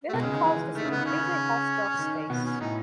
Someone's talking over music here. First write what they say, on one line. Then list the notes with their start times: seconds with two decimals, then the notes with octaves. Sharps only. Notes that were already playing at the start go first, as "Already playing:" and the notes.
Willard calls this a completely Hausdorff space.
0.09 A3
0.13 B2 G#3
0.23 C#3
0.33 D#3
0.44 E3
0.75 D#3 A3
0.85 C#3
0.91 B3
0.96 D#3
1.06 C#3 C#4
1.98 D#3
2.29 B2 B3
2.45 C#4
2.61 A2 D#4